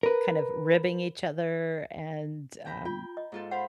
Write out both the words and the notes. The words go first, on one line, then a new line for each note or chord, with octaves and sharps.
kind of ribbing each other and, um,
A#4 B4
G5 A#5 B5
F4 G5
D#5
G#2 F4 A4
C5 F5 F#5 B5